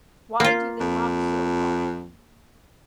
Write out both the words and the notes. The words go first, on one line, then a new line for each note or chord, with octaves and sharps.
Why Do They Rock So Hard?
A#3 F4
F2